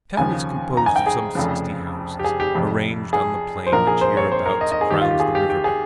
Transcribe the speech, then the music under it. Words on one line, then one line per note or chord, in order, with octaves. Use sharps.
The town is composed of some sixty houses, arranged on the plain which hereabouts crowns the river-bank.
D#2 C#3 F3 G#5
A#5
G#5
G5
G#4
F1 F2 C#3 F3
G4
G#4
G4
F1 F2 C3
G#4
C5
A#1 A#2 F3 A#4
G#4
C5
C#5
C5
A#4
D#5
D#5
G#4
D#2 D#3 G4
F4
G4
G#4
G4
G4
G#4